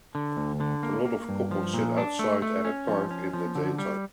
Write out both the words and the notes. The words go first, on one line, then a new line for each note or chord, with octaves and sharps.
A lot of couples sit outside at a park in the daytime.
D3
D2
D3
A#3
A#3
G2
F3
A#2
D4
A3
A3
C#4
F3
C#4
F3
D3
G3